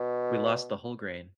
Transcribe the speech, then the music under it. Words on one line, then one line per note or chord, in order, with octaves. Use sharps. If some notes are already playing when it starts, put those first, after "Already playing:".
We lost the whole grain.
Already playing: B2